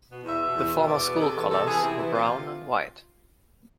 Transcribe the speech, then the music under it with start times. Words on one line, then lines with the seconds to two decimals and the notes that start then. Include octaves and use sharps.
The former school colours were brown and white.
0.08 B2 B3
0.24 E2 E5
0.39 B3
0.45 B2
0.56 E2
0.72 B2 B3
0.87 E2 D5
1.03 B2 B3
1.12 G#4
1.18 C3 A4
1.34 E3 B3
1.50 C3 A4
1.66 E3 B3 G#4
1.81 C3 E4
1.97 E3 B3
2.13 C3 F4